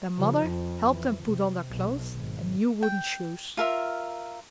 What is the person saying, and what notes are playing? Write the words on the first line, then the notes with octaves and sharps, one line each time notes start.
Their mother helped them put on their clothes and new wooden shoes.
C#3 F3
F2
E3
C3
B1
G#1
G5
F4 A#4 E5